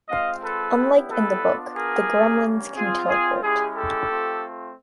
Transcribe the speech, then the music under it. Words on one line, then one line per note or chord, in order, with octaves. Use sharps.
Unlike in the book, the Gremlins can teleport.
G#3 C4 F4 D#5 F5
A4 B4
B3 E4 G4
A4 B4
B3 D4 F4
G#4 A#4
G3 A#3 C#4
C4 F4 G#4
G#4
G#3 C#4 E4 G4 G#4
G4 A4
A3 C4 F4